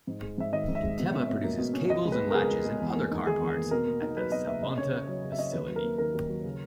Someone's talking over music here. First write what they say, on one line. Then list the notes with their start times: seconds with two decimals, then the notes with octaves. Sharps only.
Inteva produces cables and latches and other car parts at the Salonta facility.
0.07 G#2
0.22 G#3
0.38 G#2 E5
0.52 D#3 D#5
0.68 G#2
0.75 E5
0.83 G#3
0.99 B2
1.14 C#4
1.29 B2
1.44 A#3
1.58 B2
1.74 C#4
1.89 C#2 D#5
2.05 G#3
2.12 B4
2.20 B3
2.30 A#4
2.35 C#3 G#4
2.51 C#2
2.65 G#3
2.80 E2
2.95 A#3
3.11 D#4
3.26 D#3 G#4
3.41 E2
3.57 A#3
3.71 B2 A#4
3.87 A#3
4.02 D#4
4.17 F#3 B4
4.32 B2 D#5
4.47 A#3 E5
4.62 C#3 D#5
4.78 C#4 C#5
4.92 C#3
5.07 F#3 C#5
5.24 C#3
5.32 E5
5.38 C#4 D#5
5.46 C#5
5.53 D#2 B4
5.68 F#3
5.76 A#4
5.84 A#3
5.98 D#3 A#4
6.14 D#2
6.29 F#3
6.44 C#3